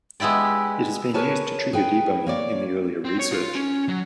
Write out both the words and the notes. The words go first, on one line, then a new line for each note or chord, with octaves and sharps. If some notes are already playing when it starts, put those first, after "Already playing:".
It has been used to trigger debugging in the earlier research.
G#3 B3 E4 G4 D5
G#4 A#4 B4 C#5 G#5 A5
G#4 B4 G5
A#3 C#5 D5
C4
C#5
F4
C#4
F#3